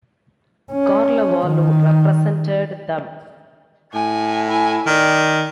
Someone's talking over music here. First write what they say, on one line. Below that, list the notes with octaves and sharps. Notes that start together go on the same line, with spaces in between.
Garlawolu represented them.
C#4
D#3
A2 G#5
E4 G#5
D#3 D5